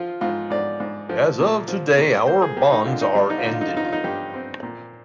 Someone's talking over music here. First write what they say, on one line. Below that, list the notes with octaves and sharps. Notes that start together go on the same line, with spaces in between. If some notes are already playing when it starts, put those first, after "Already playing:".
As of today our bonds are ended.
Already playing: F3 F4
G#2 F4
G#2 D5
G#2
F3
A#2
F3
A#2
A#3 C5
G#4
A#3 G4
D#4
D3 F4
D#4
G3 D4
D#4
F4
D3 D#4
F4
D#4
F4
G2 D#4
F4
D#4
G2 G4
C4
A#2